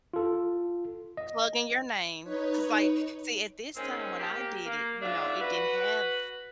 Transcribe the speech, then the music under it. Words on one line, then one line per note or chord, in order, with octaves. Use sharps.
Plug in your name. 'Cause, like, see, at this time when I did it, you know, it didn't have
F4 A4
D#5
D#4 B4 C#5
G#3 A#3 C4 C#4 D#4
A#3 G4
A#3
G#2 F#3 D4 F4 E5
F#4 B4